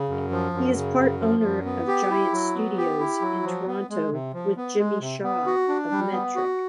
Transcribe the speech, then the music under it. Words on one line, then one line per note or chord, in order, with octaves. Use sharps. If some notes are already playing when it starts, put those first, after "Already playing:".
He is part owner of Giant Studios in Toronto with Jimmy Shaw of Metric.
Already playing: C#3
F#2
F3
F#2
C#3
F#2
F3
F#2
B3
G4
E4
F#3
B3
G4
E4
F#3
F3
B3
G#3
C3
F3
B3
G#3
C3
B3
F#4
D4
G3
B3
F#4